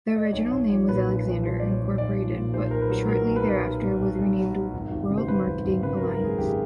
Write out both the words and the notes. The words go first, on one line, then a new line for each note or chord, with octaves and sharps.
The original name was Alexander, Incorporated but shortly thereafter was renamed World Marketing Alliance.
E5
D#5
D5
B1 C#5
B1 C#5
F3 C#5
A#2 B4
B1
B4
B1
F3 C5
A#2 D5
C#5
B1
B1 D5
F3
A#2
B1 C5
B1 A#4
B4
F#3
B2 A#4
B1
B4
B1
F#3
B2
B1
B1
F#3
B2
G#1
G#1
C#3
C5
F#2 B4
G#1
G#1
C#3 B4
A#4
F#2
A#4
G#1 G#4
G#1 G4
G#4